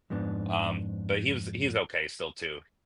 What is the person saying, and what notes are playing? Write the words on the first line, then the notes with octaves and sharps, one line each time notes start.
um, but he was he was okay still too.
F2 G#2 B3 D4